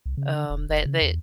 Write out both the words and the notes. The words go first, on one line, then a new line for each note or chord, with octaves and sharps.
um, that that
C2
C#3
D3
E1
F1
C#3
E2